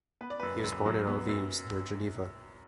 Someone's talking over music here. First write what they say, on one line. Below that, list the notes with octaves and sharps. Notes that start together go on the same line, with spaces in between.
He was born in Eaux-Vives near Geneva.
B3 B4
D5
F#2 B4
F#2
F#3
B3
F#2